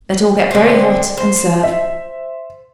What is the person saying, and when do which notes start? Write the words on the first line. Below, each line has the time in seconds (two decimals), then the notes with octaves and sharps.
Let all get very hot and serve.
0.51 D3 C4
1.17 C5
1.63 E5